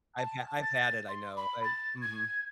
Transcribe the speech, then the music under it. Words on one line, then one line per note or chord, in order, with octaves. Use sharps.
I've had I've had it, I know. I mhm.
A5
A6
C6
B5
A6
G#6